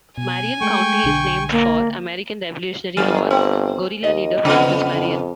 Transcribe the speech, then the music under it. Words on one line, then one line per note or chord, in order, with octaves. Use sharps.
Marion County is named for American Revolutionary War guerrilla leader Francis Marion.
B2 G#5
G#3 A3 G5 C#6
B1 D3
A#3
G1 F#3
C4
D#2 D#5
F2 C#3 B3
F2